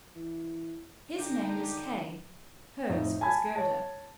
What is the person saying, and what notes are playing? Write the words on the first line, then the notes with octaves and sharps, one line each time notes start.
His name was Kay, hers was Gerda.
E3
D3 D4 D#4 G4
F2 A2 D#4
G#5 A5 B5 G#6
C#5 A5